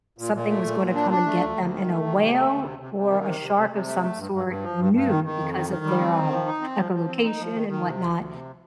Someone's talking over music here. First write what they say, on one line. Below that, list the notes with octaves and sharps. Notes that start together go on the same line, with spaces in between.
Something was gonna come and get them, and a whale or a shark of some sort knew because of their, um, echolocation and whatnot,
A#2
A#2
A3
A#2
A#2
D4
D4
A3
D2
D2
D#3
A3
D#3
C3
A3
D2
C3
C3
C3
D#3
C3
C3
C3
C3
A3
A3
G2
G2
G2
F3
G2
G2
D#3
D#3
F2
D#3
D#3
G3
C4
D#3
F3
D#4
C4
F3
F3
C4
D#4
F3
D#3
D#3
C3
D2
D2
C3